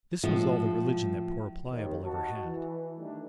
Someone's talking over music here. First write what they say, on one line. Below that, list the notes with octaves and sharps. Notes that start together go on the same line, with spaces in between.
This was all the religion that poor Pliable ever had.
A2 F3 G#3 F4 F#4
D#2 D#3
F#4 D#5 A5
E3
D#3 E3 G3 A3 D4 D#4